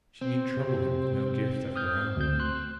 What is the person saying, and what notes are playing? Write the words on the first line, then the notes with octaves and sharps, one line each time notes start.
She need trouble him with no gift of her own.
C4
C3
D#6 F6 G6
D2 G6
C6 F#6